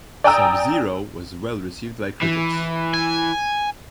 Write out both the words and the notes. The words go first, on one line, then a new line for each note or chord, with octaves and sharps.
"SubZero" was well received by critics.
D5 G5 G#5 A#5 D#6 E6
E3
G#5